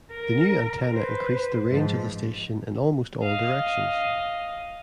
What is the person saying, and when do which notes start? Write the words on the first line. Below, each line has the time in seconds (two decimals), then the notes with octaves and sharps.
The new antenna increased the range of the station in almost all directions.
0.12 A#4
0.93 B4 C5
1.71 G#2 F3
3.24 D#5 F5